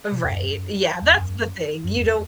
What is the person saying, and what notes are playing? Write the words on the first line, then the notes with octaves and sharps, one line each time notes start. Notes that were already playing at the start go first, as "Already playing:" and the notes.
Right, yeah, that's the thing, you don't
B2
E2
F#2
E2
F#2
F#2
E2